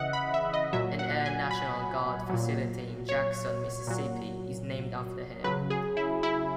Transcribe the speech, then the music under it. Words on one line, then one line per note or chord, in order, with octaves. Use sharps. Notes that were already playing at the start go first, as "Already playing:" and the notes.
An Air National Guard facility in Jackson, Mississippi is named after him.
Already playing: C#3 E3 D#5 E5 F#5
B5
E5
D#5
A#2 F#3 E5
F#5
G#5
B5
A#2 F#3
C#5
A#2 F#3
C#3 F#3 B4
G#4
E4
E4